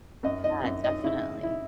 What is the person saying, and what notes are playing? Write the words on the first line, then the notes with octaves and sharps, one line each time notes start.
Yeah, definitely.
F#2 D#5
D#5
F#2
D#5
C#3 E4
E4